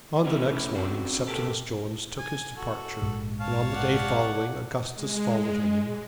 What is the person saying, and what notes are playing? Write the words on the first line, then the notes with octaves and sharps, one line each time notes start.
On the next morning Septimus Jones took his departure, and on the day following Augustus followed him.
F3 A3 B3 C#4 D#4 E4
C#3 C4 D4 F#4
A#3 B3 G4 A4
G#5
F#4 A4
A#1 G#2
C#5 F5 A5
D5 F#5
G#3